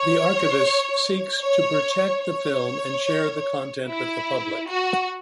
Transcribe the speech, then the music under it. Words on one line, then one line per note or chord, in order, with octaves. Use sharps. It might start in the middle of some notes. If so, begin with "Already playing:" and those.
The archivist seeks to protect the film and share the content with the public.
Already playing: C#5
C#5
C#5
E4
F#4